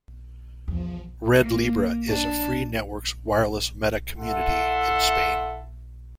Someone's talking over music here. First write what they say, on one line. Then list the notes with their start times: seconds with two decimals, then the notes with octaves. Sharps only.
RedLibre is a free networks wireless meta community in Spain.
0.68 E2 F3
1.40 A#3
2.08 D4
4.19 E4 A4 E5 F#5 C6